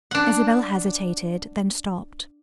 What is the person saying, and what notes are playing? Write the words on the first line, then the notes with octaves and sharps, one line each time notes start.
Isabel hesitated, then stopped.
D4 F#5